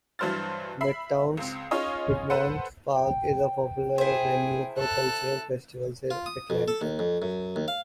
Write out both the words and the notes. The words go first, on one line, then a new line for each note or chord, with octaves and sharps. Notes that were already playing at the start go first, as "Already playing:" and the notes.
Midtown's Piedmont Park is a popular venue for cultural festivals in Atlanta.
G2 E3 F#3 C5 F6 A6
E5 B5 C7
C#2 C4
C#4 D#4 F4 G#4 C#5 D#5
A4 B4 C5 F#5
G5
E4 G#4 C5
A4 F#6
F4
D#6
F2
A4
D#2
F2
F#2
D#2
F5